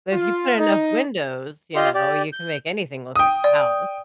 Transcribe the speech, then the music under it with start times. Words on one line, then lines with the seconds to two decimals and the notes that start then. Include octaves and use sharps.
But if you put enough windows, you know, you can make anything look like a house.
0.12 F4
0.57 D#4
1.75 F4 G4 D#5 C6
1.94 G4 D5
2.33 G6
3.16 G5 D#6
3.44 D5